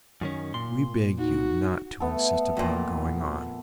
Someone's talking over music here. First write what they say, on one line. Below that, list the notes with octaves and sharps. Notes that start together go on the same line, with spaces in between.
We beg you not to insist upon going on.
F#2 D#3 C#4
A#2 C6
D#4 F#4
A3 B3 A4
F2 A#2